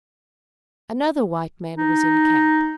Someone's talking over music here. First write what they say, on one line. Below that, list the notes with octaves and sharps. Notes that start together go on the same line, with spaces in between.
Another white man was in camp.
D#4